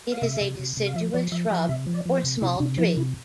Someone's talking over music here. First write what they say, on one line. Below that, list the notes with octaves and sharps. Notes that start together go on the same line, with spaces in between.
It is a deciduous shrub or small tree.
F5
C3 E5
C3
C3
C3
F5
F3 E5
F3 D5
F3 E5
F3 E5
C3 E5
F3
D5
F3
C5
C3
C3 E4
C3 D4
F3 E4
C3 E4